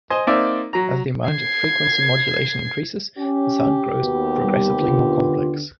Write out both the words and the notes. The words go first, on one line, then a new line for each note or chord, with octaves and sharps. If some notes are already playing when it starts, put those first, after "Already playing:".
As the amount of frequency modulation increases, the sound grows progressively more complex.
C5 D#5 G#5
A#3 C4 D#4 D5 E5
F#3 A#5
G#6 C7
C#4 G4
D#2 B3 F#4
G3
D3 F4